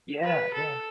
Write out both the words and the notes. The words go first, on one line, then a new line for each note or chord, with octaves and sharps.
Yeah, yeah.
B4
A4